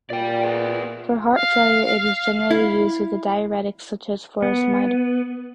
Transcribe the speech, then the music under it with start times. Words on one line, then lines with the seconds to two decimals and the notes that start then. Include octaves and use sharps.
For heart failure it is generally used with a diuretic such as furosemide.
0.10 A#2 D5 G5
0.43 B3 G#4
1.34 F5
2.51 E4
4.42 B3